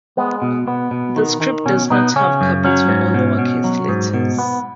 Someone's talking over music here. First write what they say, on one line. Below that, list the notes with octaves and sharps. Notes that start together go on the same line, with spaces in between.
The script does not have capital or lowercase letters.
G#3 B3
B2
B2 B3
B2
D#3
D#3
B2 C#4
B2 B3 D#4
C#3 C#4
F#2
F#3 C#4
G#2
B2
B2
F#3
G#2
B2
B3